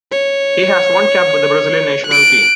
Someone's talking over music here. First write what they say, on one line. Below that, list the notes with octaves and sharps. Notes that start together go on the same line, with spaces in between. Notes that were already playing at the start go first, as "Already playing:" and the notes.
He has one cap with the Brazilian national team.
C#5
F#6 D7